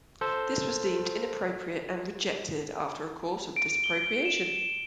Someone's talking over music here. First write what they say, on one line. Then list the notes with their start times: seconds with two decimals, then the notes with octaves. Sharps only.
This was deemed inappropriate and rejected, after a "chorus of disapprobation".
0.21 A4 C5
3.56 D7
3.84 G7
4.25 E7